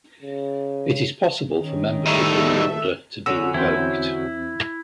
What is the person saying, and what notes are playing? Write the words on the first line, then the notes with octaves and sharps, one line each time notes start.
It is possible for membership in the Order to be revoked.
C#3
D#3 C#4
A2 G3 A3 D#4 A4 E5
D3 F#3 C#4 E6
E2 C4 E4 G6